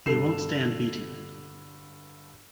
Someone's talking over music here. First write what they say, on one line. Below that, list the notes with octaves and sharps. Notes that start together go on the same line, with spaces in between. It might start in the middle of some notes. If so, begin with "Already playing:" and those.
He won’t stand beating.
G2 D3 A4 C7 E7